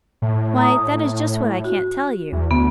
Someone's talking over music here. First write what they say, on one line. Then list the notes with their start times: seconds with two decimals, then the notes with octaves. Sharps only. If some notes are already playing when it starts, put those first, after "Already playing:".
'Why, that is just what I can't tell you.
0.22 A2
0.58 A#5 D#6
1.64 F#4
2.32 E2
2.51 D2 B3